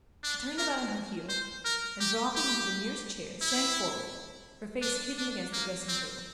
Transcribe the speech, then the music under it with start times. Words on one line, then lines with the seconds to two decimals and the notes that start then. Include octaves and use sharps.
She turned about on her heel and, dropping into the nearest chair, sank forward, her face hidden against the dressing-table.
0.24 D4
0.58 A#4
1.29 C5
1.65 A#4
2.00 G4
2.36 G4
3.41 E4
4.82 D4
5.18 D4
5.53 A#3
5.88 C4